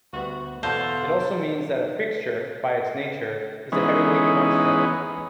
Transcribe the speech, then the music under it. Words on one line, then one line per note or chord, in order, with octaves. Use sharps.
It also means that a fixture, by its nature, is a heavyweight construct.
D2 G3 B3 F#4
E2 B2 D3 B3 C5 F5 A5
E3 G#3 B3 C#4 D#4